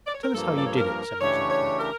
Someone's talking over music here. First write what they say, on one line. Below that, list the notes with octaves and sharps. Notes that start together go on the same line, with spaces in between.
Tell us how you did it!' said Nazarka.
D5
C#5
A#4
G2 F3 A#3 A4
D5
C#5
A#4
C#3 E3 A3 D4 G4 C#5
C#5
A#4